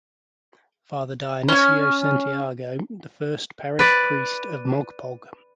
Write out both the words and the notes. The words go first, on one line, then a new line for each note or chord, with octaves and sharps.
Father Dionisio Santiago the first parish priest of mogpog.
C#4 G#5
B4 D5